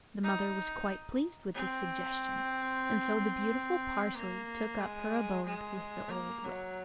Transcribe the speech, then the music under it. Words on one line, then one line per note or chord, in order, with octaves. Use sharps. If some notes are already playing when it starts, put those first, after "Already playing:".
The mother was quite pleased with this suggestion, and so the beautiful Parsley took up her abode with the old witch.
D#4
C4
A#3
G#3
G#3
A#3
F#3